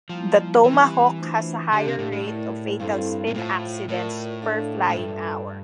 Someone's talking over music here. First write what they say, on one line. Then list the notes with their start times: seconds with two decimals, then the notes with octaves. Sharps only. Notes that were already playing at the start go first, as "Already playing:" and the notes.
The Tomahawk has a higher rate of fatal spin accidents per flying hour.
0.09 F3 G3 A#3 E4
0.64 E3 G3 C4 G4
1.18 A3 D4 F4 C5 E5
1.72 D3 D4 G4 D5 F5
1.86 C3
1.99 A2
2.12 A2
2.26 A3 E4 A#4 D5
2.80 G2 C4 E4 A4 C5 F5
3.27 A#2
3.35 A2 F4 C5 F5
3.88 A2 F4 A#4 D5
4.42 D4 A4 D5 F5
4.89 A2
4.96 G2 F4 A4 E5